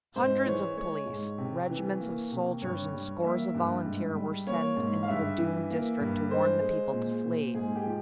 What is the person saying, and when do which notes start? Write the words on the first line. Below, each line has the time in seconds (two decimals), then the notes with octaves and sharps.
Hundreds of police, regiments of soldiers and scores of volunteers were sent into the doomed district to warn the people to flee.
0.16 G#2 C5
0.46 E3 C#5
0.77 G#3 C#5
1.07 G#2
1.38 C3
1.70 E3
2.00 A#3
2.31 C3
2.61 G2 C#5
2.93 G3
3.23 A#3 E5
3.54 G2
3.85 G#2
4.15 G3
4.46 A#3 C#5
4.77 G#2
5.03 F5
5.08 G2 E5
5.38 E3
5.70 A#3
6.00 G2
6.31 G#3 C5
6.62 G#3
6.92 A#2
7.23 A#2
7.54 G#2 G#4
7.75 G4
7.86 F3